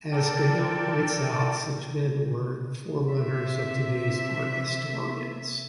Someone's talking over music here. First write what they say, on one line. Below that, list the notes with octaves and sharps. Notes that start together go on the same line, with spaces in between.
As Cahill points out, such men were the forerunners of today's art historians.
A4 A#4 D5 G5 A5
C3 E5